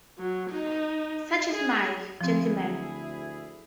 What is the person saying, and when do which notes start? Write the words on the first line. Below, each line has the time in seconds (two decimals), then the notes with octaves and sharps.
Such a smile, gentlemen!
0.18 F#3
0.50 D#4
1.51 G#4
2.21 D2 F3 C4 E4 G#4